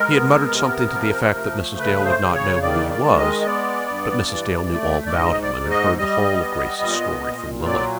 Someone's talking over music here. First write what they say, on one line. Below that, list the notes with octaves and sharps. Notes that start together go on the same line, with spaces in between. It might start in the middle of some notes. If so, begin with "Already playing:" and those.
He had muttered something to the effect that Mrs. Dale would not know who he was; but Mrs. Dale knew all about him, and had heard the whole of Grace's story from Lily.
Already playing: G#3 A#4
B3
C3
F3
A3
C#3 B4
C5
C#3
C#5
D#3 D5
D5
G#3
D#5
D#5
B3 D5
G2
E3
A3
D5
G#2 D#5
D5
G#2
D#5
G3 D#5
B3
A#2
A#2
F#3 D5